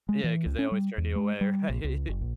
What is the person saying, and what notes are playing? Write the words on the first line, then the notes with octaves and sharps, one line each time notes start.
yeah, cause they always turn you away, right?
G#3
E3
C#2
C#4
G3
E2
G#3
G3
A#1
C#2
F#1
A#1